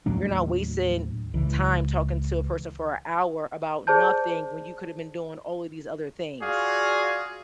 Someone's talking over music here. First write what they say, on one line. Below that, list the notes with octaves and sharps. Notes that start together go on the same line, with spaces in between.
you're not wasting time talking to a person for a hour about nothing when you could have been doing all of these other things,
D#2 A2 F#3 D4
C#2 E3
G#4 C5 D5 A5 G6
F4 F#4 G#4 D5 F5